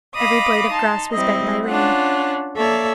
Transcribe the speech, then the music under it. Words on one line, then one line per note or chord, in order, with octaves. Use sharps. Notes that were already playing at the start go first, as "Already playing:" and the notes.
Every blade of grass was bent by rain.
D#5 F5 B5 D6 D#6
D#4 A5 C6
G3 C4 E4 D#5
C#4 D4 F4 F#5
A#3 A4 C#5 D5 E5